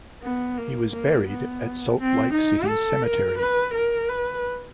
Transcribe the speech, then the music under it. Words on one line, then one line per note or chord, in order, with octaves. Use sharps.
He was buried at Salt Lake City Cemetery.
B3
A#3
A#3
B3
C4
D#4
A4
A#4
B4
A#4
B4